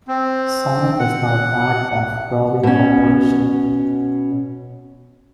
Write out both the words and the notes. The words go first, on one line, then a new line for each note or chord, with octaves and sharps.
Sonic is now part of Rovi Corporation.
C4
F#5
B2 C#4